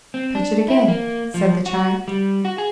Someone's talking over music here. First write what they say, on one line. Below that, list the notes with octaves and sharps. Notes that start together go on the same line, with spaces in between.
"Touch it again," said the child.
C4
D4
E4
A#3
F3
F#4
G3
F#4
G#4